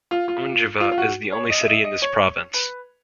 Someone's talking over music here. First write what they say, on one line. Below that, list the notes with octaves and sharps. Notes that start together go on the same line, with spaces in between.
Ondjiva is the only city in this province.
F4
F4
F4
F4
F#4
C#5
D#5
E5
D#5
E5
D#5
C#5
C#5
B4